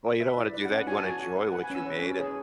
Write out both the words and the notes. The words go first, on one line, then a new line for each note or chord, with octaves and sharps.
Well, you don't wanna do that, you wanna enjoy what you made, and,
B4 E5
E4 D5
B4 D5
F#5
C#4
F#5
F#4 G#5
A5
F#4
G#5
F#4
B4
B4 F#5
G#5
C#4 E6
B4
C#4
G#4